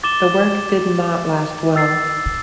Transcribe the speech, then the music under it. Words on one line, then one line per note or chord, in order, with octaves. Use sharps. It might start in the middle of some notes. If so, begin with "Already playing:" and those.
The work did not last well.
D6 A6 E7 G7
E6 A6 C7